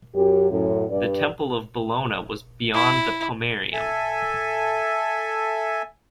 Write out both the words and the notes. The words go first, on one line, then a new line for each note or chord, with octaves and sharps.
The Temple of Bellona was beyond the pomerium.
F#2 G4
F#2 A2
G2 D5
E4
A4 E5 G#5